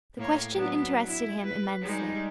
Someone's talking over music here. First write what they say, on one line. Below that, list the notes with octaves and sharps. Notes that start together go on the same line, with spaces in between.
The question interested him immensely.
A2 A#3 C#5
F#3 B3 D4
E4
B4
G3 G#3 D#4